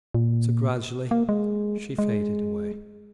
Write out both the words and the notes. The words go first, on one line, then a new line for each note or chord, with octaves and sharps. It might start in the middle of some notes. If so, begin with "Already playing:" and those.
So, gradually she faded away.
A#2
A#3
G#3
G#3